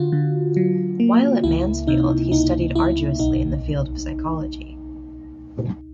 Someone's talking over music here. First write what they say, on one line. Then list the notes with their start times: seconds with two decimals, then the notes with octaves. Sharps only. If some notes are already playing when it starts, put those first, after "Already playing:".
While at Mansfield he studied arduously in the field of psychology.
Already playing: D3 F4 F#4
0.12 D3
0.57 F#3
1.00 A#3
1.44 C#2 E4
1.87 C3 D#4
2.32 C#2 D#4
2.76 C#2 E4
3.19 B1 D#4